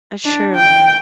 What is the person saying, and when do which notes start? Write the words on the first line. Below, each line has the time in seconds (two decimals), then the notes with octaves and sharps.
That's true.
0.25 D4
0.56 G5